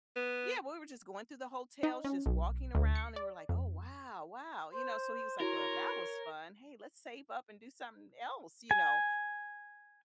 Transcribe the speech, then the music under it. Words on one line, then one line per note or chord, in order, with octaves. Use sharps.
yeah, we were just going through the hotels, just walking around, and we're like, “Oh wow, wow,” you know, so he was like, “Well, that was fun, hey, let's save up and do something else,” you know,
B3
D#4
C#4
B1
D2
C#7
D5
F2
C5 C6
E4 F#4 A#4 C#5
G#5